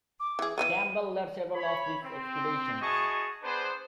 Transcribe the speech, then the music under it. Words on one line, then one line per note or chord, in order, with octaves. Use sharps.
Campbell led several of these expeditions.
D6
E3 G#4
E3 A3 B3 D#7
C#5 B5
C4
E4 F#4 G#4 D#5 A5 C#6
B3 D4 G#4 B4 C5